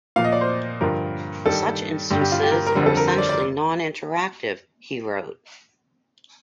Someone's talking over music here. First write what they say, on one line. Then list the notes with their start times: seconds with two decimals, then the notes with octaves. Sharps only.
"Such instances are essentially noninteractive", he wrote.
0.16 A#2 F3 F5
0.24 D#5
0.32 D5
0.41 C5
0.81 G2 D3 F3 A#4
1.46 G2 D#3 G3 A4
2.10 G2 D3 G3 G4
2.21 G4
2.32 F4
2.43 G4
2.51 A#4
2.67 A#4
2.75 F2 D3 G3
2.86 A4
2.97 A#4
3.07 C5
3.18 D5
3.29 D5